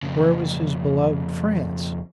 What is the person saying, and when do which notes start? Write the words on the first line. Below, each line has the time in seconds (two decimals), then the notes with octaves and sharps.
Where was his beloved France?
0.03 F2 C#3